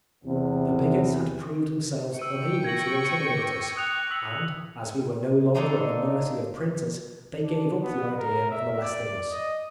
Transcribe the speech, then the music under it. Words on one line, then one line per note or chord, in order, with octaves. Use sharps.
The bigots had proved themselves unable to intimidate us, and as we were no longer at the mercy of printers they gave up the idea of molesting us.
E2 C3
G5 C#6 E6 D#7
G#6 A#6 F#7
C#7 D#7
D6
D#6 F#6 F7
E6 B6 F#7
G#3 A#3 D4 D#4 G#4 A4
D4
B3
A#4
E5
D5
D#5